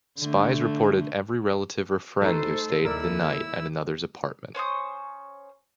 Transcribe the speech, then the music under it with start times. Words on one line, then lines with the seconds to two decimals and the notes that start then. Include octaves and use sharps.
Spies reported every relative or friend who stayed the night at another's apartment.
0.19 D3 A3
2.22 A3 D#4 A4 B4 C5
2.85 D#2 G#3 E4 A#4 D5 E6
4.55 C#4 C5 C#6 D#6